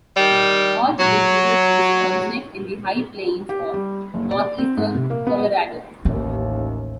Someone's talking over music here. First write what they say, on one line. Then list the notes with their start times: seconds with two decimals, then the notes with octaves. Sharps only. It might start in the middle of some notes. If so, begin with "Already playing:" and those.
All three tributaries originate in the High Plains of northeastern Colorado.
0.17 D#3 G3
0.98 F#3
3.49 G4
3.74 G3
4.14 F#1
4.31 D5
4.58 C4
4.77 G#2
4.95 C3
5.10 A#3
5.27 B3
6.05 A1 D#2 C#4